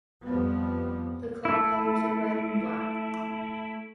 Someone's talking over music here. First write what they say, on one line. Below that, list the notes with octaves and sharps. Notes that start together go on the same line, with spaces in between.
The club colours are red and black.
F2 F3 G3 B3
A3 E4